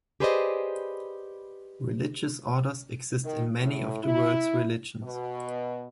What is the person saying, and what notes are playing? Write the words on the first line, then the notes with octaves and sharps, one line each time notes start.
Religious orders exist in many of the world's religions.
G4 G#4 B4 C5 D5 D#5
D#3
A2
E4
B2